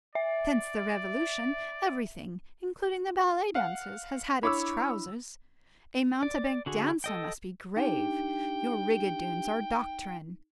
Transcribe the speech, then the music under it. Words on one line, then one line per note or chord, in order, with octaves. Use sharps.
Since the revolution, everything, including the ballet-dancers, has had its trousers; a mountebank dancer must be grave; your rigadoons are doctrinarian.
D5 E5
F5 F#5
D4 E4 C#5 B5 D6 E6
D5
D3 F#4 G#4
A4 D#5 G5
D4 D#4 G4 G5